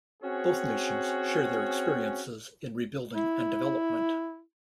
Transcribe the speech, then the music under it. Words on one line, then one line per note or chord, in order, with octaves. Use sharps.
Both nations share their experiences in rebuilding and development.
C4 C#4 F#4 G#4
E4